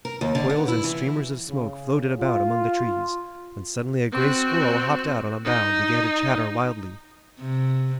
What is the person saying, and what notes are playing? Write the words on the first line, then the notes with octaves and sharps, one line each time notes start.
Coils and streamers of smoke floated about among the trees, and suddenly a gray squirrel hopped out on a bough and began to chatter wildly.
A#4
D#2
D3
B3
E4
E3
C#3
F4
C4 F#4
D#4
C3